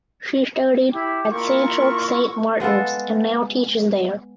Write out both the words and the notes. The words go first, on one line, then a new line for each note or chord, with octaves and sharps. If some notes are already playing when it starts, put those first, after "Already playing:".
She studied at Central Saint Martins and now teaches there.
E4 G4
A#3 E4 F4 A#4 C#6
G#3 B3 F4 A4